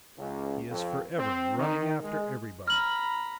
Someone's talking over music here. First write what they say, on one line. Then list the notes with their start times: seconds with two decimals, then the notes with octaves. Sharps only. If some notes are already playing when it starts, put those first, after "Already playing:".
He is forever running after everybody.
0.18 C#2
0.69 F2
1.18 C4
1.57 D#3
2.03 G#3
2.68 A#5 B5 F6 F#7